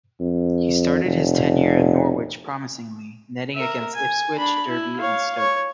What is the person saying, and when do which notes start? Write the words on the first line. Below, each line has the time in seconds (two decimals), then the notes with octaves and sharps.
He started his tenure at Norwich promisingly, netting against Ipswich, Derby and Stoke.
0.20 F2
1.04 F1
3.56 A#4 E5
3.95 G#5
4.37 D4 B5
4.68 E4
4.99 C#5 F5
5.38 C#5